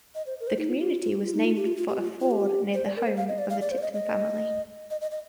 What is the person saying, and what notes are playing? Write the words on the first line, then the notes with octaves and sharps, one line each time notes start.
The community was named for a ford near the home of the Tipton family.
D#5
C5
A#4
C5
D#4
F4
G4
F4
F4
G4
F4
D#4
F4
G4
F4
F4
G4
F4
F4
G4
C5
D5
A#4
C5
F5
D#5
D5
F5
D5
C5
D5
D#5
D#5
D#5
D#5
D#5